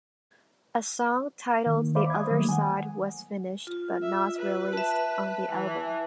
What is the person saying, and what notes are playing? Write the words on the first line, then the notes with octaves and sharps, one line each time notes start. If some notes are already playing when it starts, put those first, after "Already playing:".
A song titled "The Other Side" was finished but not released on the album.
D#3 A#3
C5 D5 E5 F5 B5 D6
D#6 G#6
D#3 F#3 G3 A3 A#3
F#5 G#5
F4
E5
B4
E5 A5
E3